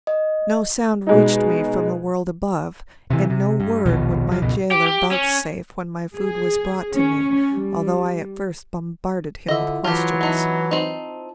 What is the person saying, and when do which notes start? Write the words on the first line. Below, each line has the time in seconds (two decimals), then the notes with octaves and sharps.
No sound reached me from the world above and no word would my jailer vouchsafe when my food was brought to me, although I at first bombarded him with questions.
0.07 D#5
1.07 B2 G#3 D#4
3.10 C3 E3
3.30 C3
3.60 G2
3.85 A#1 D#2 B2 F3
4.27 F1 F3
4.42 C#2 F#2 B2
4.71 G4
4.87 G4
5.11 C#4
6.16 G#4
6.93 C#4
7.51 G3
9.48 D3 F3 E4 D#5 E5
9.84 E3 F#3 F4 G4 A5
10.21 B3 D#4 E4 C5 A5
10.71 C4 D#4